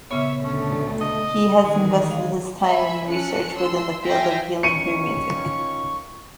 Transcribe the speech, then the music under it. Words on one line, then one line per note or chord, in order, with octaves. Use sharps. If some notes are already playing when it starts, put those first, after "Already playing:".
He has invested his time in research within the field of healing through music.
A#2 C#3 B3 C#5 E5
D2 A3 C#4
D#5
D#3 E3 G#3
F5
E5 G#5 B5
C#4 A4 F#6 C#7
C6 E6
E5 F5 G5 G#5 A#6
D#3 C#4 F4 C#6 C#7 D#7